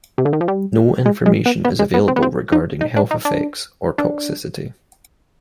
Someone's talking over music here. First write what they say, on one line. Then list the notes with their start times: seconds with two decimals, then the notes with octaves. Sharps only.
No information is available regarding health effects or toxicity.
0.18 C3
0.25 D3
0.33 D#3
0.41 F3
0.48 G3
1.06 G#3
1.26 G#3
1.46 B3
1.65 B3
1.79 G#3
1.94 B3
2.08 C4
2.16 B3
2.22 C4
2.52 D#4
2.81 D#4
2.96 D4
3.11 D#4
3.25 D4
3.98 D4